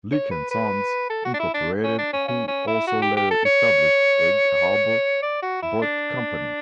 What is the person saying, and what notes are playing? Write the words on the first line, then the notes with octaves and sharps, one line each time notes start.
Leek and Sons, Incorporated who also later established Egg Harbor boat company.
C#5
B4
B4
A4
F#4
D4
E4
D4
C#4
D4
C#4
C#4
C#4
E4
F#4
G4
G4
A4
C#5
D5
F#4
E4
D4